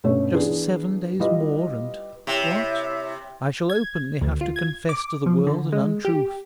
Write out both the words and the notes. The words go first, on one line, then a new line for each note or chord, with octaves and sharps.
Just seven days more and what!--I shall openly have to confess to the world an untruth!
G2 B2 A3 C#4 C#5
E3 B3 D4 G#4
G3 E4 F4 B4 D#5
C3 E4 C#5 E5
G#6
D2
F4
G#6
D6
F3
D3
G#3
G4